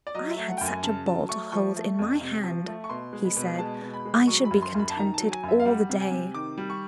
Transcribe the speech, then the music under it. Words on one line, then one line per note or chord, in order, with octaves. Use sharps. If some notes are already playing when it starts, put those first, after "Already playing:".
"If I had such a ball to hold in my hand," he said, "I should be contented all the day."
D5
F#3 D#5
E5
A3
F#5
G5
F#2 G#5
C#3 A5
F#3 A5
A3 C#6
F3 C#6
A3
F2
C3
F3
A3
C#6
B2 C6
G#3
B5
B2
G#3 A5
B2
B5
G#3
F#3 C#6
B5
F#2
C6
F#2
B5
A5
D#3 A#5
A5
F#3
G#5
F#2
E5
F5
G3 F#5
C3
G#5
C3
D#3 D6
G3
C#6